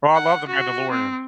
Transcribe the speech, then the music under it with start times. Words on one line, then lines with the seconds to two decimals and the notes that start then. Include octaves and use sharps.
Bro, I love The Mandalorian.
0.15 F#5
0.49 F#4
0.91 C4